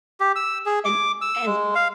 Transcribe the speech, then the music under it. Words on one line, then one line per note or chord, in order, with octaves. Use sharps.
and and
G4
E6
G#4
D6
E6
G#3
F5